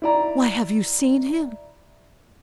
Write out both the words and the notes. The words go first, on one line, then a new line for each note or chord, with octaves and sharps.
Why, have you seen him?
E4 D5 A#5